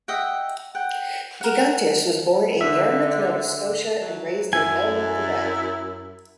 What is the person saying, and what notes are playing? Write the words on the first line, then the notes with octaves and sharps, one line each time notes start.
Gigantes was born in Yarmouth, Nova Scotia and raised in Aylmer, Quebec.
D#5 E5 F#5 G5
F#5 G5
A#4 F#5
D3 E5
F#3
F#2 E4 G#5